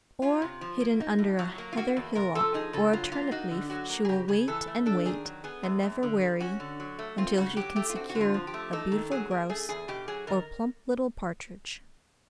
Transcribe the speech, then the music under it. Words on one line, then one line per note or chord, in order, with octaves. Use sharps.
Or, hidden under a heather hillock, or a turnip-leaf, she will wait and wait, and never weary, until she can secure a beautiful grouse, or plump little partridge.
C#4 F4
C3
F3
A#3
D#4
A2
F#3
A#3
F4
A#3 F#4
E2
C3 A#4
F3 A4
D#4 G#4
C#3 A4
F#3 F4
A#3 F4
D#4 F#4
D3
F#3 F#4
A#3
G#4
C#3 G4
C#3 G#4
E3 A4
A3
D4 A4
D#3 G#4
F#3
B3 G#4
F#2
F#2
D3
G3
C#4 F#4
D3
F#3
A3
C4 F4
C#3 F#4
F#3 G4
A3 G4
F4
C4 F#4
F#4
D3
F4
F3
G4
A3
D#4 A4
D#3
F#3 G#4
A#3
A3 G#4
E2 G#4
B2 G4
F#3 G#4
D#3 A#4